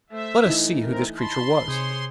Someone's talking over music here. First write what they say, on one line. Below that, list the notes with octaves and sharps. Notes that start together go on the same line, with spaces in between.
Let us see who this creature was.
A3 C5 E5
E3 A3 D#4
C4 A#4
A5 B5 C6
C3 G#4 C5 C#5